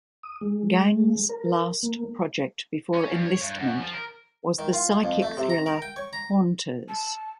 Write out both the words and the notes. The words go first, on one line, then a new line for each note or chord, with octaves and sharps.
Gang's last project before enlistment was the psychic thriller "Haunters".
D#6
G#3
A#4
A#3
C#4
G2
C#5
G2
F#2
F3
A#4
D#3
F4
F2
A3
C3
A#5
A#4
G5
C#5
A#5
A5